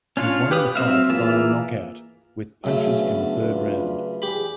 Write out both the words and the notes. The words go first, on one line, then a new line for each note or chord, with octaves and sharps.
He won the fight via knockout with punches in the third round.
C#4 D4 F4 C#5 F5
G4 B4 D#6
F#3 C4 E5 F5
E3 A#3 F4 G#4 E5
F#2 C#3 A3
B3 D4
D4 F4 B4
E2 G4 G#4 B5